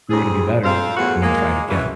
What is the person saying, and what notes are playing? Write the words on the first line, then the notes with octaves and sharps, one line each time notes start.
grew to be better, and then tried again.
D2 G2 C4 G#4
F2 C4 A4 C5 F5
E2 A2 F4 F#4 G#4 F#5
G#3 A#3
B2 E3 C#4